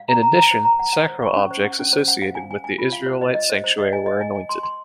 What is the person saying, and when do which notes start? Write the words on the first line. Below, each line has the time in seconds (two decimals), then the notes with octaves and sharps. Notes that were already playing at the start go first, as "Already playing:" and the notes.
In addition, sacral objects associated with the Israelite sanctuary were anointed.
Already playing: F5
0.08 A#5
0.23 A#5
0.37 A#5
0.51 C5
0.65 A#5
0.79 F#5
0.93 F#5
1.08 C5
1.22 C#6
1.36 C#4
1.51 C5
1.65 F#5
1.79 C#4
1.93 C5
2.08 F#5
2.22 F5
2.35 G#5
2.51 G#5
2.64 G#5
2.78 F4
2.92 F5
3.06 C5
3.21 D#5
3.35 D#5
3.50 C5
3.64 C5
3.78 D#5
3.93 G#5
4.06 D#5
4.21 G#5
4.35 G#5
4.49 C6
4.63 C6